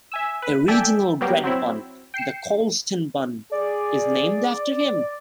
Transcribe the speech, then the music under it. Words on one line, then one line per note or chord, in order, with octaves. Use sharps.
A regional bread bun, the Colston bun, is named after him.
E5 G#5 E6
B4
A4 D5 E5 G5 G#5
F#3 G3 A#3 B3 G4
F#3 C4 E4
G5 C7 C#7 E7
G#4 D5